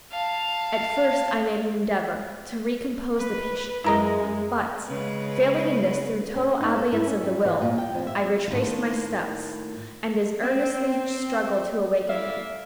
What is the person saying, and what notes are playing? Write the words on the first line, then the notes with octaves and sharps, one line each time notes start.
At first I made an endeavor to re-compose the patient; but, failing in this through total abeyance of the will, I retraced my steps and as earnestly struggled to awaken him.
F5 A5
B4
F#2 G#3 E4 A#4 D#5
C#3 G#3 B4
C#4
D#4
A4
E4
C#4
G3
E3
A#2
G5
F2
E5
A2 D#3 A3 F4
C4
E4 A4 D5 E5 F5